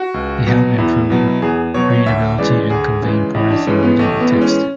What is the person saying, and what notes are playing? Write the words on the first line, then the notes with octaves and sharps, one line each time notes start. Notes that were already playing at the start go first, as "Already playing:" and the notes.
They help improve readability and convey importance in written text.
Already playing: F#4
C#2
B2 F#3
E2 E4
B2 F#3
E2 G#4
B2 F#3 C#5
C#5
D2 E5
C#3 E3 G#3 D5
D2 G#4
C#3 E3 G#3
A1 E4
D4
A2 E3 G#3 C#4
B3
A1 A3
B3
A2 E3 G#3
C#4